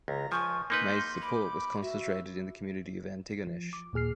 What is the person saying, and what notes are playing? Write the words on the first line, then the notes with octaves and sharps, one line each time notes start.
May's support was concentrated in the community of Antigonish.
C#2 A#5
F3 G#5 C#6
A#3 D#4 B4 C6 G6
B5 D6
F#4 E5
E5
F3
D6
D#2 A#2 G#4 F6 C7